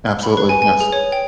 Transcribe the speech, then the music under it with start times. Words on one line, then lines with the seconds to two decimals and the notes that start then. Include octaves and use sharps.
Absolutely, yes.
0.23 B5
0.37 B4
0.49 G#5
0.62 G#5
0.80 G#4
0.92 C#5
1.12 G5